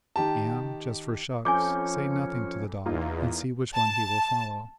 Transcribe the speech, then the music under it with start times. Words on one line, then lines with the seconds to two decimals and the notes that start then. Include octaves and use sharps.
Am, just for shucks, say nothing to the dog and see which one he will follow.
0.16 D#3 G4 A5
1.45 F2 F3 C#4 G#5 D6 G6
2.86 E2 A#3 D#4 F4
3.73 A5